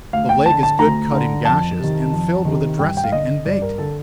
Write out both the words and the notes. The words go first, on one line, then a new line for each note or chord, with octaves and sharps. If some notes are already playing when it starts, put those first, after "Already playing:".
The leg is good cut in gashes, and filled with a dressing, and baked.
D2 F5
G5
D3 A5
A5
D2 A#5
D3
F2 A5
C3 D#3
F2
C3 D#3
G2 G5
G5
F5
D3 D#5
G2 D5
A#4
D3 A4